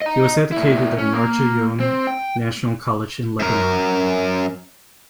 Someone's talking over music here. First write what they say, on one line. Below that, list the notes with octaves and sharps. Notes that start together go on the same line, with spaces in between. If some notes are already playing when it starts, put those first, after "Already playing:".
He was educated at Narj' Oyoun National College in Lebanon.
D#5 A#5
A#2 E4
C#4
A#3
C4
G5
F#2 A#4